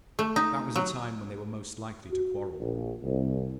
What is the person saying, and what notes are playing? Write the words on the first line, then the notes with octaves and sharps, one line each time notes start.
That was the time when they were most likely to quarrel.
A3
D#4
F#3
F#4
A#1
C2